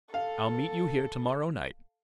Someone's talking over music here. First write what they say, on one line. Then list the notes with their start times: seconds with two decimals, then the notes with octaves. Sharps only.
I'll meet you here to-morrow night.
0.14 A4 F5